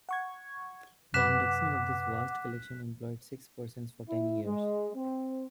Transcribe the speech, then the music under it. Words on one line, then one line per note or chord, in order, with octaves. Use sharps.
The indexing of this vast collection employed six persons for ten years.
F#5 C#6 G#6
F#2 C3 B4 F#5 D6 F#6 B6 E7
E4
G#3
C4